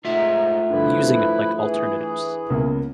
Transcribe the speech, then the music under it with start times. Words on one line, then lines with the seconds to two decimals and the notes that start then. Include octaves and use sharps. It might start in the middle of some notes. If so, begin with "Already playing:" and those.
using it like alternatives.
0.05 G#2 A3 D#4 F4 E5
0.70 G2 D3 F3 E4 B4
1.56 E3 G#4
2.50 C#2 A#3 B3